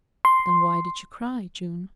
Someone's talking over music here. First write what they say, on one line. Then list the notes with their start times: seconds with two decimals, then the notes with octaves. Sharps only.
"Then why did you cry, June?"
0.25 C6